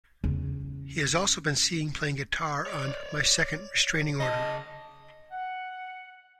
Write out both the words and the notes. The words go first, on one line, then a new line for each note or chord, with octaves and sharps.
He has also been seen playing guitar on My Second Restraining Order.
E2 C#3
C#5 D5
C#3 D#5 A5
F#5